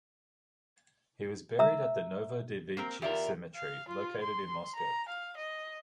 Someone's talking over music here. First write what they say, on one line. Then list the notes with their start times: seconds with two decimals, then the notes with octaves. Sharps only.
He was buried at the Novodevichy Cemetery located in Moscow.
1.59 E5 A#5 E6
2.77 A#3 C4 A#4
3.02 E2 F4 G4 A#4 D5 E5
3.55 F5
3.88 F4
4.22 C6
4.75 A#5
5.08 F5
5.37 D#5